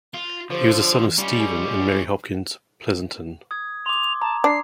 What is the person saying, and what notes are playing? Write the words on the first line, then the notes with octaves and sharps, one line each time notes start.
He was the son of Stephen and Mary Hopkins Pleasonton.
F4
D3 F3 G4 C5 C#5
G2 G3 C#4 F4
G#4
D#6 G#6
C6 D6 F7
A5 A#5
D4 C7